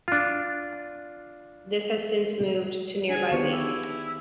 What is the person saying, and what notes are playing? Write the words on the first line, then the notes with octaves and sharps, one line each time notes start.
This has since moved to nearby Leek.
D4 F4
D4 G#4 G#5
D#3 B3 G4 C#5
E4